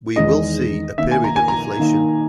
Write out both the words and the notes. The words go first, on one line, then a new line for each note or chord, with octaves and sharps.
We will see a period of deflation.
E2 D#3 G#3 D#4 D#5
D#3 A#3 D#4 E5
G#5
A#5
G#5
A#5
D#3 A#3 D#4